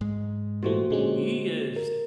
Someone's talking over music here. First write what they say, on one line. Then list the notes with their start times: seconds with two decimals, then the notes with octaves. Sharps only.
he is
0.01 G#2 G#3
0.63 A#2 E3 A3 F#4 G4 C5
0.90 A#2 D3 G#3 C#4
1.76 A#4